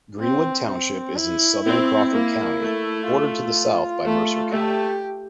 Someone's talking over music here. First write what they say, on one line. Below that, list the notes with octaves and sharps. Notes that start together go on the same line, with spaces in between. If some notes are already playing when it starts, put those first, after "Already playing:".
Greenwood Township is in southern Crawford County, bordered to the south by Mercer County.
C4
C4
E4
C4 E4
A#3
A3
F4
A3
A3 G4